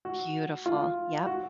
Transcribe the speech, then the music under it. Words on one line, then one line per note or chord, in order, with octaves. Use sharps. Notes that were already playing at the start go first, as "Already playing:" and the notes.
Beautiful, yep.
F#4
F4
F#4